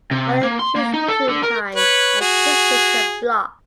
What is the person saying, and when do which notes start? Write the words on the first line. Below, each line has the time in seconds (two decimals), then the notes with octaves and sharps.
Under "Kidz Toon Time" and "Kidz Weekend" block.
0.11 C3
0.43 A#3
0.59 C6
0.76 A#3
0.94 D#4
1.08 A4
1.29 D3
1.44 A#4
1.75 B4 C#5
2.21 F#4 G#4